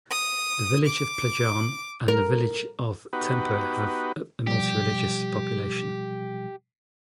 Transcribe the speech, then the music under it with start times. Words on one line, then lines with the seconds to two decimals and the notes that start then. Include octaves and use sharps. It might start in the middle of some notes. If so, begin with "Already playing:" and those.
The village of Plajan and The village of Tempur has a multi-religious population.
0.10 D#6
0.85 D6
2.08 A#4
3.13 B3 D#4 F#4 G4 B4
4.47 B2 F3 G3 G4